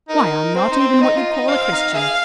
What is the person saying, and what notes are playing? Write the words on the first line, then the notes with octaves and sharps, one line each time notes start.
Why, I'm not even what you'd call a Christian.
D#4 A#4
C4 C5
D#4
C4
D#4 D#5
F4
D#4
C4 F5
D#4
G#4 F5